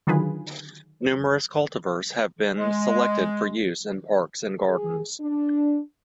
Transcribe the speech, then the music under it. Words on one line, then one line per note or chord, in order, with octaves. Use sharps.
Numerous cultivars have been selected for use in parks and gardens.
D3 D#3 F#3 F4 G#4 B4
G#3
G#4
D4